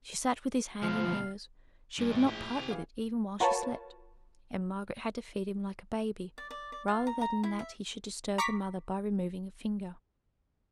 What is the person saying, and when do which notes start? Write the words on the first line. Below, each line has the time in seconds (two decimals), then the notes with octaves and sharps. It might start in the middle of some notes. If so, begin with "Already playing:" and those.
She sate with his hand in hers; she would not part with it even while she slept; and Margaret had to feed him like a baby, rather than that he should disturb her mother by removing a finger.
0.82 D2 B2 F3 F5
1.99 G2 A#2
2.11 A#1 A2
2.26 G#4 G5
2.57 C3 F7
2.70 E3 F5
3.40 F4 F#4 A#4 B4 C#5 A5
6.38 D5
6.51 D5
6.72 D5
6.88 F4
7.07 A#5
7.21 A#5
7.44 E4
7.59 E5
8.38 A#5 C#6 D6 B6